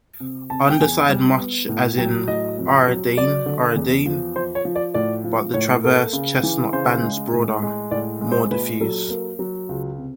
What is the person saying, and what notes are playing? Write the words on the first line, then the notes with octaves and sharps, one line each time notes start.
Underside much as in "Ariadne ariadne", but the transverse chestnut bands broader, more diffuse.
C3
C3 A5
G5
E2 G#5
G3
B3
A2
F#3 G5
A2 D#5
F2
F#3
F#3 D5
D3
E2
F3
F3 C5
C#5
F3
D5
A2 D5
F3
A2 C#5
A#3 A4
C#3
E3
C#3 C5
G#3
A2
G#3
A2 D5
G#3
C5
A#2 B4
F#3 A4
A#3
F#3
C#2
C3